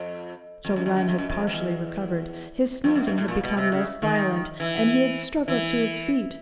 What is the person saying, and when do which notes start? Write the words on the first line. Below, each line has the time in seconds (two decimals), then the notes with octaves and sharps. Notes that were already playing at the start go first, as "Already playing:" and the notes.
Chauvelin had partially recovered; his sneezing had become less violent, and he had struggled to his feet.
Already playing: F2
0.65 F2
0.76 F#2
0.86 F2
0.97 F#2
1.08 F2
1.18 F#2
1.29 F2
1.47 F2
1.53 E2
2.84 F2
2.95 F#2
3.07 G2
3.18 A2
3.28 A#2
3.43 B2
3.57 C3
3.72 C#3
4.02 D#3
4.60 E3
5.48 E3